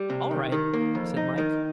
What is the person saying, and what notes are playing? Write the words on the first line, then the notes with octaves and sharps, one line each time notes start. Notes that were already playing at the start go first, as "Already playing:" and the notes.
"All right," said Mike.
Already playing: G3
C3
D#3
D#3
A#3
F2
D#4
D#3